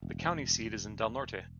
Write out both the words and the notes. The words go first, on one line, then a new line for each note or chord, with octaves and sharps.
The county seat is Del Norte.
E1